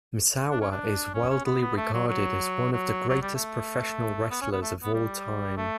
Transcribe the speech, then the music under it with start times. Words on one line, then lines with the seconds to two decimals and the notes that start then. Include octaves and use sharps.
Misawa is widely regarded as one of the greatest professional wrestlers of all time.
0.51 D4
0.61 C#4
0.71 D4
1.14 C#4
1.30 C#4
1.45 B3
1.61 B3
1.77 A3
1.93 F#3
2.08 F#3
2.72 F#3
3.09 F#3
3.22 G3
3.34 A3
4.30 B3
4.41 C#4
4.51 B3
4.61 A3
4.83 B3
4.94 G3
5.57 A3